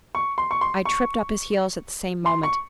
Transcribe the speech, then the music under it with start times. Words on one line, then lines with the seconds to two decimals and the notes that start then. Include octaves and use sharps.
I tripped up his heels at the same moment.
0.15 C#6
0.38 C6
0.51 C#6
0.61 C6
0.85 C#6
2.26 C6
2.43 C#6